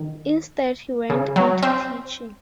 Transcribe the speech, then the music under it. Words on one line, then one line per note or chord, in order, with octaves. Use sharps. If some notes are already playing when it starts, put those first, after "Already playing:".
Instead he went into teaching.
Already playing: D#3
C#3
F#3
C4